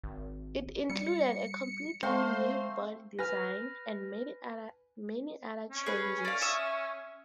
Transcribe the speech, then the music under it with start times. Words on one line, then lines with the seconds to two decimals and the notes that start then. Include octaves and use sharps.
It included a completely new body design and many other changes.
0.04 G#1
0.90 G3 C#7
2.03 G#3 A3 C4 C5 F5
3.19 B4 G#5 F6 A#6
5.71 C#4
5.86 G#4 B4
6.25 D5 F5
6.42 E5 D#6